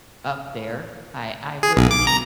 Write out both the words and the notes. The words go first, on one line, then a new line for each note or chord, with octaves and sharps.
up there. I I would eat
G#4
B1
D6
A#5